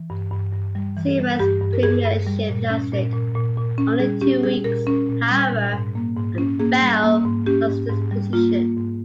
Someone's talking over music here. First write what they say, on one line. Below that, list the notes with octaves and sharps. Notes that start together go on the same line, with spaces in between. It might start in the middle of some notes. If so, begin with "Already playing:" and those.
Sewell's premiership lasted only two weeks, however, and Bell lost his position.
Already playing: E3
G2
G2
G2
G3
E3
G3
G2 G4
G2
A#4
G2 G#4
G2
G3
A#2
C#4
A#2
A#2
A#2
A#2
C#4
G3 G#4
C#4 G4
G3 G#4
A#2 A#4
C#4 A#4
A#2
G3
A#2
G#2
A#3
G#2
C#4
A#3 G#4
G3
A#3
G#2
C#4 G4
G#2
G#2
G3
A#3 F4
A#3
G#2